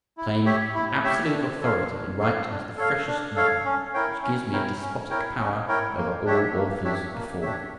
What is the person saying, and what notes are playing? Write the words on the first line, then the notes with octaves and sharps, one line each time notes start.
I claim an absolute authority in right as the freshest modern, which gives me a despotic power over all authors before me.
E4
G4 C#5 E5
E4
G4 C#5 E5
D4
A4 C#5 F5
D4
A4 C#5 F5
D4
A4 C#5 F5
D4
A4 C#5 F5
C#4
E4 A#4 C#5 G5
C#4
E4 A#4 C#5 G5
C#4
E4 A#4 C#5 G5
C#4
E4 A#4 C#5 G5
A#3
D4 G4 C#5 E5
A#3
D4 G4 C#5 E5
A#3
D4 G4 C#5 E5